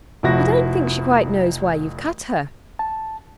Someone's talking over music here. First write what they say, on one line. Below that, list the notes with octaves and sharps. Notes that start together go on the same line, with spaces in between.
"I don't think she quite knows why you've cut her."
F1 F3 E4 F#4 A#6
A5